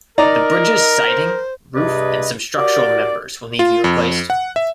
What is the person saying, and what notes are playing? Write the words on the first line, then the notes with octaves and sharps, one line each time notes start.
The bridge's siding, roof and some structural members will need to be replaced.
D#4 A#4 D5 D#5 A#5
C5
G2 C3 G#4 B4 D5 D#5
F#4 G4 A#4 D5
F4
F2
F#5
E5